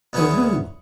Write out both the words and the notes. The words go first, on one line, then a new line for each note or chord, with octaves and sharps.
The room!
D2 B3 C#4 E4 G#4